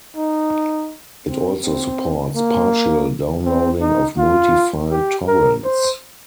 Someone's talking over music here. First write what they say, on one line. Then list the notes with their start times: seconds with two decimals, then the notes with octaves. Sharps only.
It also supports partial downloading of multi-file torrents.
0.16 D#4
1.26 C4
1.63 C4
2.36 A#3
3.45 C4
3.81 D#4
4.18 F4
4.91 G4
5.28 A#4
5.64 C5